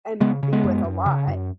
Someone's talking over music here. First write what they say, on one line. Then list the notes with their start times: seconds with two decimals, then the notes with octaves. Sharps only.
and be with a lot.
0.20 C#3 G#3 B3
0.43 C#3
0.53 G#3 B3
0.64 F#2
0.84 F#2
1.06 C#3
1.27 F#2